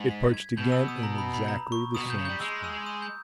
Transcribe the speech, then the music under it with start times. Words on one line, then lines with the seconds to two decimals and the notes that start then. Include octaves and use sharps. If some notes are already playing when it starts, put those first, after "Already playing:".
It perched again in exactly the same spot.
Already playing: G#2
0.11 B6
0.34 G#6
0.57 B2 G6
0.72 E6
0.88 D#6
1.03 A#5
1.18 B5
1.34 B5
1.48 A#5
1.72 C#6
1.95 B2 D#6
2.06 B2
2.10 G6
2.18 C#3
2.25 G3 G6
2.40 G#3 E6
2.64 E6
2.86 D#6
3.02 G6